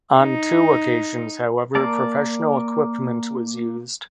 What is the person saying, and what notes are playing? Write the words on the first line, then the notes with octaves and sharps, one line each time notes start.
On two occasions, however, professional equipment was used.
D#4
A#3 A#4 D5 A5